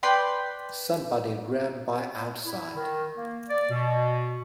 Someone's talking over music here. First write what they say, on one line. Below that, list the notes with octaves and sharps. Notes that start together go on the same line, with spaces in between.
Somebody ran by outside.
B4 D5 G5 C6
E4
D#3
A#3
D5
B2